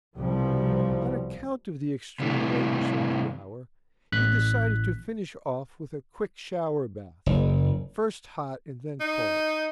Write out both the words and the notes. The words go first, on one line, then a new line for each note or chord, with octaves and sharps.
On account of the extreme lateness of the hour, he decided to finish off with a quick shower-bath, first hot and then cold.
C2 B2 F3 G3
C3 E3 G3 A3
A1 F#6 B6
F#1
D#4